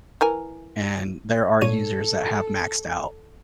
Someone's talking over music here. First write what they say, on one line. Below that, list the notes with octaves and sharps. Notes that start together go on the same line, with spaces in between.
and, there are users that have maxed out,
E3 A#4 G#5
A#2 A4 C#5 D#7